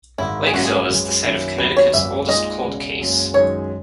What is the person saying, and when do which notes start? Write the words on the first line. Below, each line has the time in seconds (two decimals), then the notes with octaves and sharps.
Lakeville is the site of Connecticut's oldest cold case.
0.18 G#1 G#2 D#3 E4
0.46 G#4
0.53 G#2 F#3 A#3 C#4 E4 F#4
0.65 G#4
0.88 F#2 E3 G#3
1.23 F#2 D#3 A#3 C#4 E4
1.58 D#2 D#3 F#3 B3 B4
1.77 C#5
1.94 G#1 F#2 E3 A#3 E5
2.29 A#2 G#3 D#4 D#5
2.64 E1 E2 C#3
2.99 F#1 F#2 C#3 G#3
3.34 F#2 D#3 G#3 D#4 C#5